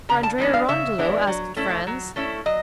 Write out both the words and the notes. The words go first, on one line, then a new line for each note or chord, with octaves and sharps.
"For Andrea Rondolo?" asked Franz.
C#3 A#5
A5
E3 G#3 B3 D4
F5
C#3 E5
E3 G#3 B3 D4
F#3
A3 C#4 E4
F#3
A3 C#4 E4
F#3 D#5